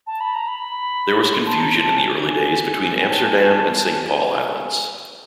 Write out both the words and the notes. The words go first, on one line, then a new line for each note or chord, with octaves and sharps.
There was confusion in the early days between Amsterdam and Saint Paul Islands.
A5
B5
A#5
B5
C6
A5
A#5
A5
G#5
G5
A5
G#5
A5
A5
A5
G#5